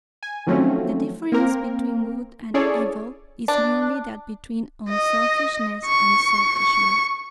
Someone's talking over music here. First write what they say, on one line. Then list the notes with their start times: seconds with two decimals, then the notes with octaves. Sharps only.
The difference between good and evil is merely that between unselfishness and selfishness.
0.23 G#5
0.47 D#3 F3 F#3 A3 C4 C#4
1.32 A#3 C4 A#4
2.54 C#4 E4 G#4 A4 C#5 D5
3.48 D4
4.89 D#5
5.85 C#6
6.59 C#6